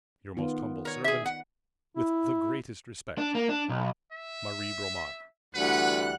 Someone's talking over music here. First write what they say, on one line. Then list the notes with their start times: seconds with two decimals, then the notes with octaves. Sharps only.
'Your most humble servant, 'With the greatest respect, 'MARIE BROMAR.'
0.37 D#3 B3 F4
0.85 A#4 C#5
1.04 G#4 E5
1.26 F#5
1.96 E4
3.18 D4
3.35 A#3
3.49 D4
3.69 B1
4.12 E5
5.55 D2 E3 G3 B4 F#5 F#6